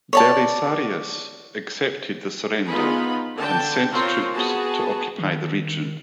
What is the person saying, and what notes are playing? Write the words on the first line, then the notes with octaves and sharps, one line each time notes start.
Belisarius accepted the surrender and sent troops to occupy the region.
C#5 D5 A5
B3 D#4 F4 G#4 B5
D3 G5 A5
C4 F4 A#4 C5 C#5
B3 F#4 G#4 A5
D#3